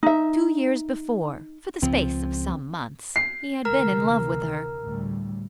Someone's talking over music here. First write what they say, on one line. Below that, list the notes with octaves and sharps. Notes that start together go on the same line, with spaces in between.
Two years before, for the space of some months, he had been in love with her.
D#4 E5
C#2 F3 C4
C7
D2 C3 E3 A#4 A#5 F6
D2 A2 G3